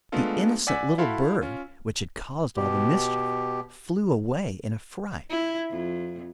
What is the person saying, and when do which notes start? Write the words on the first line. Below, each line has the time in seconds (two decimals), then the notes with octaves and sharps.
The innocent little bird which had caused all the mischief, flew away in a fright!
0.12 G#3 A3 B3 D4 F4 A4
0.67 D5 F#5 G#5 E6 B6
0.98 E4 F#4 A4 F5 B5 C6
1.41 C#4 F4
2.56 B2 G4
5.29 E4
5.70 F2